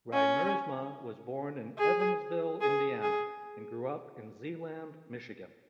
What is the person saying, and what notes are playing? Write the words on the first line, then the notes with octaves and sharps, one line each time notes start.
Riemersma was born in Evansville, Indiana and grew up in Zeeland, Michigan.
C#4
G#4
G#4
G#4